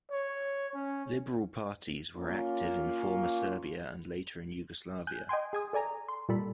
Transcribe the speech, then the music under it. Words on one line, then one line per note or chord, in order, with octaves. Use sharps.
Liberal parties were active in former Serbia and later in Yugoslavia.
C#5
C#4
A#3 C#4 F4
G#5 F#6 G6
D#5 G5 G#5 C6
G#4 G#5 D#6
A4 D5 G#5 A#5
C6
A#2 G3 A4 B5